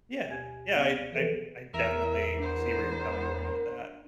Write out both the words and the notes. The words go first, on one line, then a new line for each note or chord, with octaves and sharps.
Yeah. Yeah, I I I definitely see where you're coming from with that.
D2 B2 G4 G#5 G#6
B3 D5 F5
E3 F3 G#4 A4 B4
E2 A#4 E5
B3 D4 C5